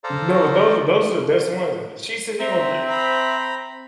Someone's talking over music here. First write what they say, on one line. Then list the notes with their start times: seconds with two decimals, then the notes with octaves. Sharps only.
N no, but those are those are the best ones, she said you gonna dri
0.04 A4 C5 D5 F5 A#5
2.40 C4 E5 A#5
2.90 A#5 B5